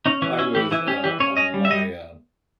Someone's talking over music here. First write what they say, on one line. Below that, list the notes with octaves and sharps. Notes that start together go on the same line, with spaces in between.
I was, uh, uh, my uh,
C#4 D#4
E3 C#4
C#4 E4
E3 G4
E3 E4
C#4 G4
E3 G4
C#4 C#5
C#4 D#5
G3
E5
G3 D#5